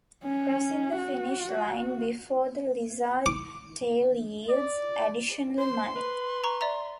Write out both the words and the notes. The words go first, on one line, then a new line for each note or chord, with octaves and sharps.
Crossing the finish line before the Lizard Tail yields additional money.
C#4
F#4
D6
D5
C5 C6
B4
A#5 C#6
D5 E5 A#5